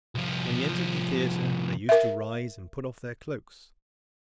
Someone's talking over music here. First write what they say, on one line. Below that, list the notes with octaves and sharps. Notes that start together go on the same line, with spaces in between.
When he entered the theatre, they used to rise, and put off their cloaks.
C2 F3
A#4 E5